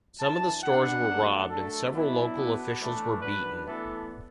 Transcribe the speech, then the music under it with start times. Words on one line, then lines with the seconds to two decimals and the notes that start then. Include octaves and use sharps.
Some of the stores were robbed and several local officials were beaten.
0.20 F#2 E3 D4 A5
0.63 B2 B3 D4 F#5
1.06 F#2 F#3 A3 D4
1.49 F#2 F#3 A3 D4 A4
1.93 B2 F#3 B3 D4 E4
2.36 B2 B3 D4
2.79 A2 E3 A3 D4 B4
3.22 F#2 F#3 D4 B4
3.65 A2 E3 B3 D4 A4